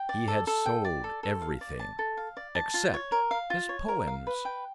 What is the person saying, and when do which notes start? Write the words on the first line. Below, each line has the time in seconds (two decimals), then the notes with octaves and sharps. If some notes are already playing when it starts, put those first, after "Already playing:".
He had sold everything--except his poems.
Already playing: G5
0.09 D5
0.28 A4
0.47 A4
0.66 G5
0.85 D5
1.04 A4
1.23 A4
1.42 F5
1.61 D5
1.80 A5
1.99 A4
2.17 F5
2.37 D5
2.55 A5
2.74 F4
2.94 C#5
3.12 A#4
3.31 F5
3.50 F4
3.69 C#5
3.88 A#4
4.07 F5
4.27 B4
4.45 G5